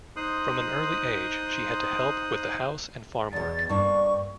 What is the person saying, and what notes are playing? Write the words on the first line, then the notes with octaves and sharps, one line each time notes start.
From an early age, she had to help with the house and farm work.
D#4 C5 C6 D#6 F#6
E2 B2 A6
G2 A#3 D4 C#6